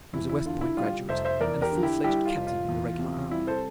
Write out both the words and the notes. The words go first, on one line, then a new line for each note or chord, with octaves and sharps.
He was a West Point graduate and a full-fledged captain in the regular army.
E2 E4
E4
D3 F4
E4
G3 F4
F1 C5 E5
C5 E5
E2 A#4 D5
G4 A#4
D3
E4 G4
G3 E4 G4
F4
F1
F4
E2
C3
G3 E4
A4 C5